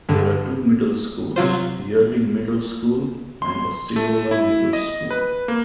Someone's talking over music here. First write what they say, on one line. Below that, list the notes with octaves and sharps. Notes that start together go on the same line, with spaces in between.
There are two middle schools: Yearling Middle School, and Osceola Middle School.
G2 D3
C3 F#3 F4 C5
C6
A3
E4
D#5
B4
A#3